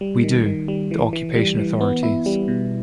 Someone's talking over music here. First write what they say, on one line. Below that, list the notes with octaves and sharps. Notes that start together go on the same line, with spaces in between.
We do, the occupation authorities.
G3
D#3
D#3
G3
E3
E3
G3
E3
B3
E4
G3
B2